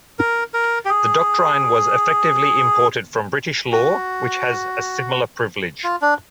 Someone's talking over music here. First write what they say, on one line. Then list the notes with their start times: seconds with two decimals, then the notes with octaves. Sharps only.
The doctrine was effectively imported from British law which has a similar privilege.
0.19 A#4
0.54 A#4
0.85 G4
0.90 G#4
3.72 F#4
5.84 F4
6.02 D4